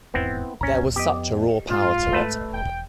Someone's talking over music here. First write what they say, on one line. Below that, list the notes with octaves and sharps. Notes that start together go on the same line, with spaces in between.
There was such a raw power to it.
D#1 E2 G#2 B3 C4 E4
A#1 D#2 A2 C#4 A#5
F2 B3 G4 D#5
G#2 F4
A3 B4 A5
E1 G5